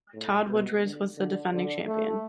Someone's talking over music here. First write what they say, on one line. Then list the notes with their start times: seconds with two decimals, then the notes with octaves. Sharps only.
Todd Woodbridge was the defending champion.
0.14 A2
0.48 B2
0.83 D3
1.17 D3
1.53 D3
1.87 A3